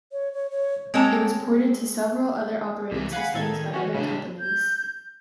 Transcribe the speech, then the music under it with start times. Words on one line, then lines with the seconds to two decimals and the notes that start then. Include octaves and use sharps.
It was ported to several other operating systems by other companies.
0.12 C#5
0.33 C#5
0.51 C#5
0.94 G#3 A#3 C4 C#5 A5 A#5
2.91 C2 G2 E3
3.13 F5 F#5 G#5 B5
3.34 A1 D#3 A4 G#6
3.74 E3 C#4 F#4
3.94 A2 C#3 D4
4.40 G6